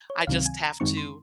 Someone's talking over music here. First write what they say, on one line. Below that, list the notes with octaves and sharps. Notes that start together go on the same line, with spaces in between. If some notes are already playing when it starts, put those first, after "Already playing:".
I just have to
C#5
C#2 C3 D#3 F#3 C4 F5
G#5
A#5
F#2 D#3 G#3 C4 D#4 C#6
C6